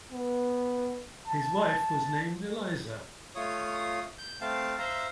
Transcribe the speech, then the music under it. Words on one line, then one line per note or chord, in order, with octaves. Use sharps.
His wife was named Eliza.
B3
A5
A3 F4 C#5 D#6
G6
A3 C4 F5 A5
C5 E5 F5 A#5